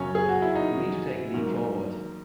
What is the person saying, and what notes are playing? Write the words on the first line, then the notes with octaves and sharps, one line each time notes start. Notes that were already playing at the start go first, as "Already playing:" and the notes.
You need to take a leap forward.
Already playing: F#2 C#3 F#3 C#4 C#5
G#4
F#4
E4
D#4
G#2 F#3 A#3